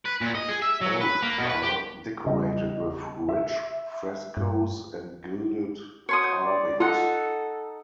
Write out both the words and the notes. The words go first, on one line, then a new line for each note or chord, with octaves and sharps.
Both are decorated with rich frescoes and gilded carvings.
B4
A#2
D#5
G#4
E5
F#3
B4
A#3
B2
B4
G4
C#3 G3 D#5
E5
G2
F#4 C#5 C6 D#6
D5
D#4 F4 A4 F#5